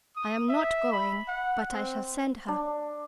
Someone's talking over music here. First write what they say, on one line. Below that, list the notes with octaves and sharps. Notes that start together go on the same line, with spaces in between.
"I am not going, but I shall send her."
D#6
E5
B5
F#5
C4
D4